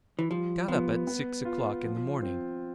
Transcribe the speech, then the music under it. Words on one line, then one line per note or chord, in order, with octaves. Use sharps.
I got up at six o'clock in the morning.
E3
F3 G3
F3 B3
B3
F4
F3
C4